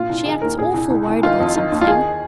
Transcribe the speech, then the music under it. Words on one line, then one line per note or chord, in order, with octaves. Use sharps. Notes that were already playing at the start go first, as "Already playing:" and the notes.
She acts awfully worried about something.
Already playing: A#2 F4
C2
D#3 G#4
D#2 A#4
A#2 G#4
C2
C2
C2
D#3 F4
F2
D#3
D#2
F4
D#3 G#4